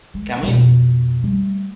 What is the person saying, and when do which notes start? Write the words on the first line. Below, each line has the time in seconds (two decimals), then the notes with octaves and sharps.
Come in!
0.14 G#3
0.43 F2 B2
1.23 G3 A3